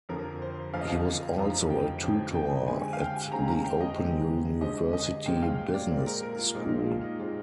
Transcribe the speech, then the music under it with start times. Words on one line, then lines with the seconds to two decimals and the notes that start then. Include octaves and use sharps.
He was also a tutor at the Open University Business School.
0.09 F2 D3 F3 C4 A#4
0.42 C5
0.74 F2 D3 F3 C4 F5
0.81 D#5
0.89 F5
1.38 F2 D3 F3 C4 A#5
1.70 G5
2.03 F2 D3 F3 C4 G5
2.35 G5
2.68 D3 G#3 C4 G#5
2.93 F5
2.99 G5
3.16 G#5
3.27 G#5
3.32 D3 G#3 C4 A#5
3.48 A#5
3.64 G5
3.81 D#5
3.97 D3 G#3 C4
4.61 D3 G#3 C4 D#5
4.93 D#5
5.26 A#2 G#3 C4 G5
5.37 G5
5.42 F5
5.74 D5
5.90 A#2 G#3 C4
6.07 A#4
6.23 A#4
6.39 F4
6.54 A#2 G#3 C4 D#4
6.70 D#4
6.86 F4
7.03 D#4
7.19 A#2 G#3 C4 F4